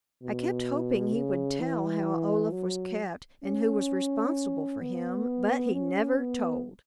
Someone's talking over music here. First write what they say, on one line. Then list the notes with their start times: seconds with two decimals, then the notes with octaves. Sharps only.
I kept hoping he would tell how Olaf was kept and who was responsible for him, but he never told.
0.23 B2
1.14 C#3
1.60 E3
2.52 F#3
3.44 C#4
4.81 B3
5.74 C#4
6.19 B3